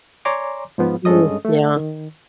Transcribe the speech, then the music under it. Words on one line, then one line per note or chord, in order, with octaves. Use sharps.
Mm, yeah.
C#5 D5 G#5 A#5 C6 D6
G#2 F3 B3
G2 G#3 C#4 A4 D#5 D#6
A3
D#3